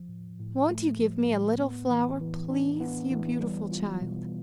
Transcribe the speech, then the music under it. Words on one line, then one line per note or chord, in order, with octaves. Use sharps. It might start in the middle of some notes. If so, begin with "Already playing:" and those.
"Won't you give me a little flower, please, you beautiful child?"
Already playing: F3
A2
A2
A3
F3
A2
B3
E3
E3
D4
B3
E3
G3
F4
B2